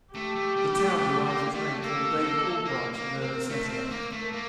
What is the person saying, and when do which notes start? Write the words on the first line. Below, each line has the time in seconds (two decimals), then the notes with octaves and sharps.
The town derives its name from David Albright, an early settler.
0.14 A3 G4
0.36 A3
0.57 G3
0.77 A3
0.98 A3
1.26 A#3
1.54 A3
1.81 A#3 A4
2.19 C4
2.24 A#3
2.65 A#3 A#4
2.94 A#3
3.22 C4
3.49 A3
3.70 C4
3.91 A#3
4.12 A3
4.33 A#3